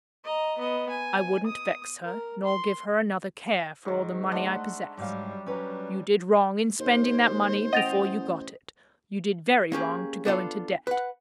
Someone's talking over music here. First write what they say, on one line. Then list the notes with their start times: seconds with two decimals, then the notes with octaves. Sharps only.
I wouldn't vex her nor give her another care for all the money I possess. You did wrong in spending that money before you got it; you did very wrong to go into debt.
0.24 D#5 A#5
0.58 B3 D#5
0.89 G#5
1.46 D#6
2.05 A#4
2.45 C6
3.85 G#2 D#3
4.32 A3 D4 D#5 F#5 C6
4.98 G#2 F#3 G3 F5
5.46 F#3 G3 C#4 B4 A#5
6.79 D#2 C5
7.73 A1 D#5 F#5 G5 A6 F7
9.72 A#3 C#4 G4 G#4
10.25 B3 D4 F4 A4
10.87 B4 F#5